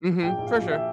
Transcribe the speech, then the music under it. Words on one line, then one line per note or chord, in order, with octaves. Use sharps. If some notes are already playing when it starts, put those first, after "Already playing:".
Mhm. For sure.
A#1 G5
A#1
F5
A#1
E5